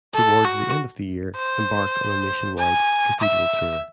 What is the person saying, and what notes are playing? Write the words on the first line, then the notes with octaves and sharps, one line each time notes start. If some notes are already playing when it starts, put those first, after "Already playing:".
Towards the end of the year, embarked on a nationwide cathedral tour.
A4
F#4
C5
G#5
E5